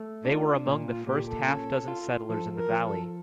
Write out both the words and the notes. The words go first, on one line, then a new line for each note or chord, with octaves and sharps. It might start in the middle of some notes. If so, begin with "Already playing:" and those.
They were among the first half dozen settlers in the valley.
Already playing: A3
D4 F4
A#2
F4
A#2 G4
A4
C#4
F4
F3 A4
A#4
F3
A4